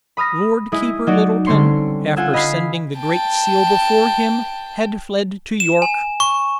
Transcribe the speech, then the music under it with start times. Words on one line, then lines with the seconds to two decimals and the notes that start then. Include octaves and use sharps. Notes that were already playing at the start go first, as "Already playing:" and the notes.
Lord Keeper Littleton, after sending the great seal before him, had fled to York.
0.17 B5 D#6 F6 A#6
0.72 G#3 E4 D#6
1.07 F#3 D#4 F#4 D5
1.46 D3 G3 C4 C#4 C6 C#7
2.17 F4 F#5 G#5 E6
2.34 D#5 B5 F6 G#6 B6 C7
2.99 G5 A5
5.60 E7
5.82 G#5
6.20 C#6